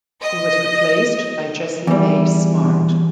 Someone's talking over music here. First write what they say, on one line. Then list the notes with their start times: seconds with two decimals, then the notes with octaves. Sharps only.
He was replaced by Jessie May Smart.
0.21 D#5
1.87 E2 G3